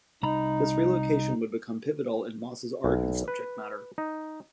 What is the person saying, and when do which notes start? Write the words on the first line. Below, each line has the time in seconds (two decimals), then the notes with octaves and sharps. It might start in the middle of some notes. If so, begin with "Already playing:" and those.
This relocation would become pivotal in Moss' art and subject matter.
0.23 C2 D#4 A#5 B5
2.84 B1
3.28 B4
3.98 D#4